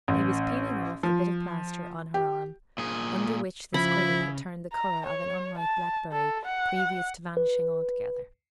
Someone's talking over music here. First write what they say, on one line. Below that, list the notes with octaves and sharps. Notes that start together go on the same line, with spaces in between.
He was peeling off the bit of plaster on her arm, under which the scrape had turned the color of an unripe blackberry previous to vanishing altogether.
A1
F3
G4
A#2 G#4
C#3 F3 E4 B5
A#5
C#5
A5
A4
F#5
B4